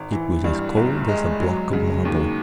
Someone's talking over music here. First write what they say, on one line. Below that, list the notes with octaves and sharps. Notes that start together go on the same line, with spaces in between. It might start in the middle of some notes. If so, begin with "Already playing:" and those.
It was as cold as a block of marble.
Already playing: G#1
E3
G2
G1
G#3
F#3
C#3
D#2